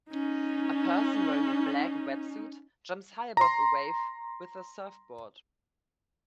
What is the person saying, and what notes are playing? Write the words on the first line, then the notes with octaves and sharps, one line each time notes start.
A person wearing a black wetsuit jumps high above a wave with a surfboard.
C#4 D#4
A#5 C6